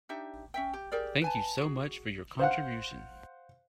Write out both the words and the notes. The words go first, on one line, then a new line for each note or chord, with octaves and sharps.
Thank you so much for your contribution.
D4 D#4 G4 E5
C#4 E5 G5
G4
G4 G#4 A#4 D5
B4 G#5 A5
F#4 G#4
C5 F5 F#5